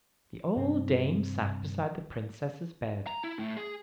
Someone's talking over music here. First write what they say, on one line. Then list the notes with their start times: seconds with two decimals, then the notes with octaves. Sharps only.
The old dame sat beside the Princess's bed.
0.56 G2 C3 C4
3.07 A#5
3.24 E4
3.39 A2
3.57 G#4